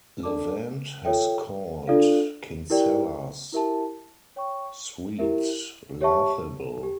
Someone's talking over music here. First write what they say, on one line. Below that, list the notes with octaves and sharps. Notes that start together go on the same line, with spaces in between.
Levant has called Kinsella's suit "laughable".
D4 A4 D5 A5 D6
F4 A4 C#5 E5 G5
D4 F4 A4 D5 F5
E4 G4 A#4 D5 G5
E4 G4 A#4 E5 A5
C#5 G5 C#6
E4 G4 A#4 E5
G4 C#5 E5 A5 C#6
G4